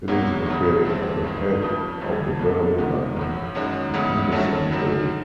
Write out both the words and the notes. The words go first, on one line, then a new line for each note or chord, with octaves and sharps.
It is located at the head of the Burley Lagoon in Henderson Bay.
C2 B2 F#3 A#3
E1 E2 C#3
G2 E3 G3 C4
G#1 G#2 D#3
F2 C#3 F3 A3
A1 G2 D3 G3 A#3
C2 A#2 F#3 B3 D4
G1 F#2 D#3 G#3 B3
B1 A2 F#3
F#2 D#3 G#3 C#4 F#4
D2 C#3 E3 G#3 B3
G2 D#3 F#3 A3 C#4
F#2 D#3 F#3